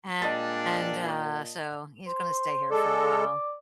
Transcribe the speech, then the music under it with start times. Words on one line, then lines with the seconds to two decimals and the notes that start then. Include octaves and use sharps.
and, uh, so he's gonna stay here for a while.
0.22 A#2 G3 G#3 D4 D#5 A5 A6
2.07 C5
2.71 G#3 A4 D5